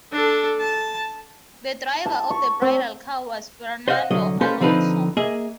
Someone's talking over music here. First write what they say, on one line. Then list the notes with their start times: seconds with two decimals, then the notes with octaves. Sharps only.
The driver of the bridal car was Fernando Alonso.
0.12 D4 A4
0.60 A5
2.06 A5
2.30 C#6
2.62 C4
3.88 C5 D#5 F5 F#5
4.11 C2 D3 F#3 D#5
4.41 A#3 C#4 G4 A4 B4 C5
4.61 D3 F3 C4 D#4 B4
5.17 A#3 G#4 D#5 E5